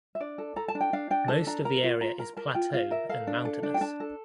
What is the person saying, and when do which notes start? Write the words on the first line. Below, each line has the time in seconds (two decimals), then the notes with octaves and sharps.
Most of the area is plateau and mountainous.
0.15 E5
0.20 D4 D5
0.38 A4
0.56 A4 A#5
0.68 A5
0.75 D4
0.81 G5
0.93 D4 F5
1.11 D4 G5
1.28 A4 A5
1.47 D4 A#5
1.65 A#4 A#5
1.83 F4
2.01 F4 A#5
2.19 A#4 A#5
2.37 A#4 A5
2.55 F4 G5
2.73 F4 F5
2.91 A#4 E5
3.09 A4 F5
3.27 D4
3.45 A4
3.63 D4
3.74 G5
3.81 D4 A5
4.00 A4